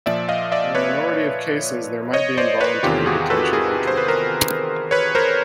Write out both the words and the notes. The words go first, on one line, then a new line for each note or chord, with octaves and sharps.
In a minority of cases there might be involuntary detention or treatment.
A#2 F3 D5 E5
D#5 F5
D5 E5
B4 C#5
C#5 D#5
C5 D5
B4 C#5
E2 C3 D#3 F4 G4
F#4 G#4
A4 B4
G#4 A#4
C5
B4
A#4 C5
B4 C#5
A#4 C5